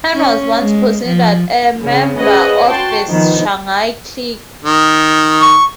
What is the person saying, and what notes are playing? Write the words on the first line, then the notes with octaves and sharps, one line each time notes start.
Han was once considered a member of the Shanghai clique.
C#4
G#3
F3
C#3
C#4 G#4 B4 C5 D#5 F#5
F#4 G5 A5 C6
D#3 F3 B3
D#3
C#6